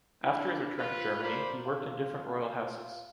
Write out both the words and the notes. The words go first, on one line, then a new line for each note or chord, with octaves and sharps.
After his return to Germany, he worked in different royal houses.
D4 E4
F4 B4
A#4 C5 D5 F5 B5 C6
F4